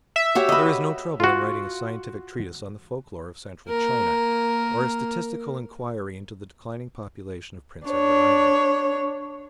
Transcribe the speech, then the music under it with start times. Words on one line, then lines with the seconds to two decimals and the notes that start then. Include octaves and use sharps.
There is no trouble in writing a scientific treatise on the folk-lore of Central China, or a statistical enquiry into the declining population of Prince Edward Island.
0.16 E5
0.35 F#4 G4 C#5
0.49 B4 D#5
1.20 F4 F#4
3.69 A#3 A#4
7.87 D4 C#5